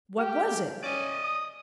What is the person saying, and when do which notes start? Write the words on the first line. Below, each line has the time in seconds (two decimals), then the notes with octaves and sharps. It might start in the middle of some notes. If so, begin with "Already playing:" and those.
What was it?
0.19 G4 G5
0.84 C#4 D5 D#5
1.24 D#6